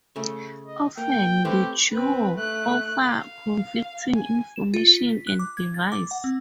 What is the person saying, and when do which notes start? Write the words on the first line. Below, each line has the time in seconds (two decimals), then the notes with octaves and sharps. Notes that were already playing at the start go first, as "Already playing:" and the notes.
Often, the duo offer conflicting information and advice.
0.16 C#3 A3
0.67 D#5
0.98 A#3 G5
1.45 A3 C4 G4 B4
1.91 C4 B4
2.35 A3 F#6
3.05 F5
4.15 G#5
4.56 E7
4.74 F4
4.94 B6
5.09 B6
5.27 F#6
5.39 D6
5.57 G#6
5.74 A6
5.92 D6
6.11 F#5
6.24 C4